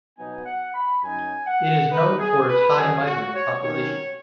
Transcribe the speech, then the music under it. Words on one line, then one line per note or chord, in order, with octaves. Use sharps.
It is known for its high migrant population.
B2 F#3 B3 D#4 G#5
F#5
B5
F#2 F#3 D#4 G#5
F#5
D#3 B3 D#4 B4
G#4
B4
F#2 C#3 F#3 G#4
F#4
C#5
D#3 F#3 C#4 C#5